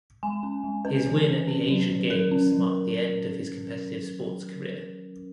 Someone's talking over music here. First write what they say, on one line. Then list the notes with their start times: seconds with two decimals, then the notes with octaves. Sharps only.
His win at the Asian Games marked the end of his competitive sports career.
0.23 G#3 G#5
0.43 C#4
0.64 G#3
0.85 C#4 B4
1.06 E3
1.28 C#4
1.47 C#4
1.69 F#3
1.90 D#3
2.10 F#3 A#4
2.31 C#4
2.52 F#3